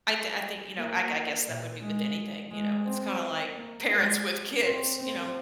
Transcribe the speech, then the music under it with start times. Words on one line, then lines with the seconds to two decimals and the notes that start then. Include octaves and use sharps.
I think I think, you know, I I guess that would be with anything, you know? It's kinda like parents with kids, you know?
0.77 A#3
1.47 A#2
1.81 G#3
2.51 G#3
2.86 C4
3.56 A#3
3.91 G#3
4.62 C4
4.97 C4